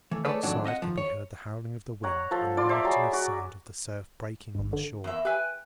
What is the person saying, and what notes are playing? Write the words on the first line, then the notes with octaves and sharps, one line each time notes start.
Outside could be heard the howling of the wind and the monotonous sound of the surf breaking on the shore.
E3 A3
A3 G#4 A4 B4 C#5 D5
F2 G#2 D#3 F#3 D4
C4 D#5 E5 F#5
D#3 F3
C#5
C#5 F#5 A#5
F3 A4
F4 D5 C6
C5 E5 A#5
F#3 G#4 B5
F#4
G#1 G2
D3
E2 A#3 E5
G4 B4 E5 G5 G#5